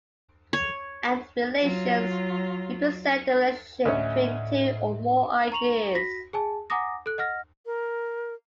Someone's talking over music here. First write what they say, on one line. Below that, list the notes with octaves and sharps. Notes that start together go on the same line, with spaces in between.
And relations represent the relationship between two or more ideas.
C#5
F#3 F4
D2 A2 C#4 D#5 E5
A#5 C#6 F7 F#7
F#4 A#6 B6
G#4 G#5 A5
F#5 G#5 A#5 D6 D#6 A#6
A4 F#6
D#5 F#5 F6 A#6
A#4